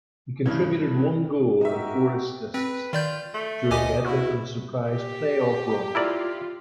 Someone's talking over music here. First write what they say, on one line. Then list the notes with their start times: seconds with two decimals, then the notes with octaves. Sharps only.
He contributed one goal and four assists during Edmonton's surprise playoff run.
0.46 G2 C#3 E3
1.61 D#4 F#4 G4 A#4 E5
2.54 C4 B4
2.93 D#3 F4 D5 G6
3.34 A3
3.71 D2 G4 D#5 G#5 D6
4.04 B2 E4 F#4
4.90 G4
5.95 E4 F4 A#4 D5